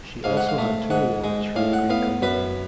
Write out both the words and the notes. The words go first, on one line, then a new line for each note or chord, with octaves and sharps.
She also had two awards from the Greek government.
G#2 F5
F#5
F5
A3
G#2 F#5
G#3
A2 F5
F#5
B3 F5
F#2 B4